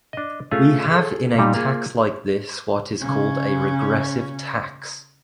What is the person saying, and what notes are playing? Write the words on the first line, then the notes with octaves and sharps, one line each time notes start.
We have in a tax like this what is called a regressive tax.
D4 D#5
A3 C#4 F4 G#4 C#5
G#4 A4
A#2 G3 D#4
A#3 F4 G#4
C#3 C#4